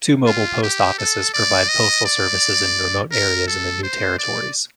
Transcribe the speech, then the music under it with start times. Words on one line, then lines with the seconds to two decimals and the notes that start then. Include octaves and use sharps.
Two mobile post offices provide postal services in remote areas in the New Territories.
0.26 F4
0.63 G4
0.98 A4
1.34 D5
1.68 D#5
2.05 D5
3.11 A#4
3.47 A4
3.83 C5
4.19 D5